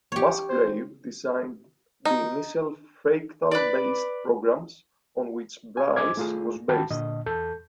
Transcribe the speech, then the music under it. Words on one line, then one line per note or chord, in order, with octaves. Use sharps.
Musgrave designed the initial fractal-based programs on which Bryce was based.
G4 C#5
C5
D#4
B4 D5
G#5
C5 D#5 G#5 D6 G#6
A3 F4 G#4
D#3 F#4 G5 A5 B5
A#2 D3 D#5
E2 A4 G6